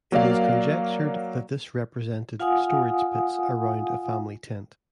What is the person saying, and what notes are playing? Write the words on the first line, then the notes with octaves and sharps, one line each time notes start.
It is conjectured that this represented storage pits around a family tent.
F#3 A#3 A#4 D5 F5
F4 F5 F#5 G#5 D#6